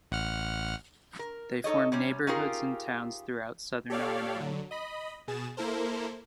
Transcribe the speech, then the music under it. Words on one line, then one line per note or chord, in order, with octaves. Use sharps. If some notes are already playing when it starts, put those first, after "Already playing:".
They formed neighborhoods in towns throughout Southern Illinois.
A1 F#5 F6
A#4
D#4 A4 C#5 D#5
C3 G3 C#4
C#4 D#4 F4 G4 G#4 A#4
G4 A4 C#5 D5 F5
D3 F#3
D#5 B5
B2 G#4 A6 E7
A#3 E4 A4 A#4 C5